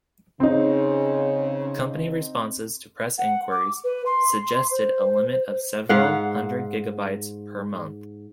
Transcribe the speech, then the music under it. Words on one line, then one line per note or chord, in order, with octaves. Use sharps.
Company responses to press inquiries suggested a limit of several hundred gigabytes per month.
C#3 C4 D#4
F#5
D6
B4
C6
C5
G#2 F5 F#5